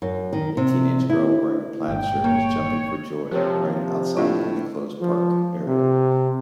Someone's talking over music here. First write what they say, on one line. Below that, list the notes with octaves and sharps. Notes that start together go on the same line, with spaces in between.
A teenage girl wearing a plaid shirt is jumping for joy right outside an enclosed park area.
F#2
D#3
C3
E4
G1 A#2 G#3 G5
A#3 C#5
C3 F3 A#4 C#5
C3
A2 A#3 D4 F4
F3
C3